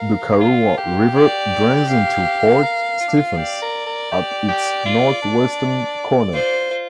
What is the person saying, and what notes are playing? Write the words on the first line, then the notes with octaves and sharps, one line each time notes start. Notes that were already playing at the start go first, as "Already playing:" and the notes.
The Karuah River drains into Port Stephens at its north-western corner.
Already playing: A#4 F5
F4
G4
D5
F5
A#4
F4
D4
F4
G4 D5
A#4
A#4
G4
G4
F4
D4
F4 C5
F4